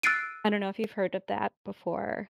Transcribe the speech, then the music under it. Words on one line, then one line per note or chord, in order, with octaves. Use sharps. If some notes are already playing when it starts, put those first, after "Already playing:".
I dunno if you've heard of that before
E6 F#6 A6 C7 D7 D#7